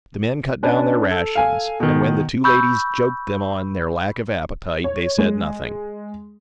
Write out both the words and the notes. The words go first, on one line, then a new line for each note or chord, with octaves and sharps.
The men cut down their rations, and when the two ladies joked them on their lack of appetite, they said nothing.
C#4 D4 B4
A4
F5 G#5
B2 D#3
B5 C#6 E6 G6
C#5
G#3